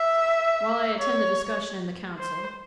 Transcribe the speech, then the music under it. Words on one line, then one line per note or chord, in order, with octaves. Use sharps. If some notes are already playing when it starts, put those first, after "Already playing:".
While I attend the discussion in the Council....
Already playing: E5
C#5
C5